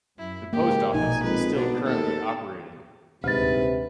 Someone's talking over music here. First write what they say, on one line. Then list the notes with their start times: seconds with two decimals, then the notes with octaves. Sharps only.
The post office is still currently operating.
0.18 F#2 E4
0.53 G#2 C#3 A#3 G4
0.94 A#1 B2 D#4 G#5
1.23 F2 G#3 B4
1.55 B2 B3 D4
1.85 D#2 A4
3.24 D#1 D2 G#2 C3 B4 A6